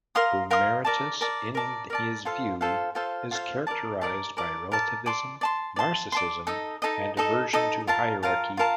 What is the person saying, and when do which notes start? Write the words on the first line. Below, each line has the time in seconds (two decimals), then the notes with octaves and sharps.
Boomeritis, in his view, is characterized by relativism, narcissism, and aversion to hierarchy.
0.15 A#4 F5 C6 D#6
0.50 A#4 F5 C6 D#6
0.85 A#4 D5 A5
1.21 A#4 D5 A5
1.55 A#4 D5 A5
1.90 A#4 D5 A5
2.25 F4 A4 C5 F5
2.61 F4 A4 C5 F5
2.95 F4 A4 C5 F5
3.31 F4 A4 C5 F5
3.67 A#4 D5 A5
4.01 A#4 D5 A5
4.37 A#4 D5 A5
4.72 A#4 D5 A5
5.06 D5 A5 C6
5.41 D5 A5 C6
5.76 D5 A5 C6
6.12 D5 A5 C6
6.47 D#4 A4 D#5
6.82 D#4 A4 D#5
7.17 D#4 A4 D#5
7.53 D#4 A4 D#5
7.87 F4 A#4 F5 A5
8.23 F4 A#4 F5 A5
8.57 F4 A#4 F5 A5